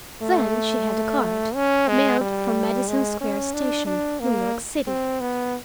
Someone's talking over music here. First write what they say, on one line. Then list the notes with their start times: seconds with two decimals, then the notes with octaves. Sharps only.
Then she had a card, mailed from Madison Square Station, New York City.
0.22 A3
1.55 C#4
1.88 G#3
2.21 G3
2.88 G#3
3.21 C#4
3.54 D4
3.87 D4
4.20 A#3
4.87 C4
5.21 B3